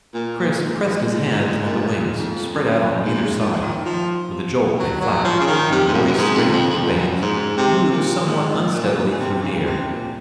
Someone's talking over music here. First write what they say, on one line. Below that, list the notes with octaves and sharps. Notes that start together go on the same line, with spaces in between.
Chris pressed his hands on the wings spread out on either side, with a jolt they flapped, and the boy's strange conveyance moved somewhat unsteadily through the air.
A#2
A#2
G#2
G#2
G#2
A#2
G#2
A#2
G#2
F2
F2
F#2
F#2
G#2
A#2
F3
D#3
F3
F#3
F#3
F3
C#3
D#3
C3
G#2
F#2
F#2
G#2
F2
F2
F2
F#2
G#2
C3
A#2
G#2
A#2
A#2
A#2
C#3
C3
C3
C#3
C3
A#2